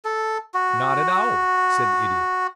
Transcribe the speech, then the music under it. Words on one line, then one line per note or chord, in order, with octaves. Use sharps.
"Not at all," said the Idiot.
A4
F#4